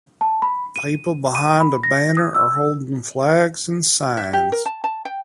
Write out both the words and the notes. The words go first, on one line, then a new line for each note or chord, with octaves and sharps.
People behind a banner are holding flags and signs.
A5
B5
D#7
D#7
B5
A#6
D#6
E6
E5
G4
A#4
A5
A5
G5